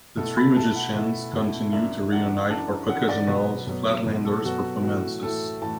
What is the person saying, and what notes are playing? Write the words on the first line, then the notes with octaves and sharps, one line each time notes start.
The three musicians continued to reunite for occasional Flatlanders performances.
B2 A3 E4 A4
B5
B2 A3 E4 A5
F#5
B2 A3 E4
B2 A3 E4
F#2 E3 D4 E5
F#2 E3 D4 F#5
F#2 E3 D4 A5
F#2 E3 D4 F#5
D5
B2 F#3 B3 B4
B2 F#3 B3
B2 F#3 B3
A4
B2 F#3 B3 F#4
A2 E3 A3 E4 F#4
A2 E3 A3 E4 A4
A2 E3 A3 E4 A5